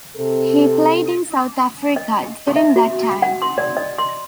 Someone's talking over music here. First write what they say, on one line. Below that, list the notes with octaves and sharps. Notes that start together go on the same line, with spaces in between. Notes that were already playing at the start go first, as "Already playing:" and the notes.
He played in South Africa during that time.
C3 A4
D#5
E5
F#4
F#5
C6
D5
D#5
C6